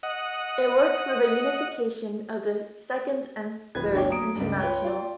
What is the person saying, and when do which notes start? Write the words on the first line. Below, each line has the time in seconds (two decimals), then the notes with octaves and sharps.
It worked for the unification of the Second and Third Internationals.
0.03 D#5 F#5
3.75 D1 F3 B4 G#6
3.93 G1 D4 C#5 D5 G5 D6
4.09 F#3 A#3 A#5 D#6 D7
4.35 C#2 G2
4.59 F4 B4 C#5 G5
4.85 F4 D5 G5